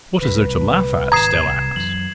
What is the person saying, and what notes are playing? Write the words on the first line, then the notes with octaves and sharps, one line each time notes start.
"What is there to laugh at?" Stella asked.
C2 A#2 B4
G#1 C#3 A#5 D#6 G#6 C7 E7
C2 G3
F#2 E3 F#3 F#7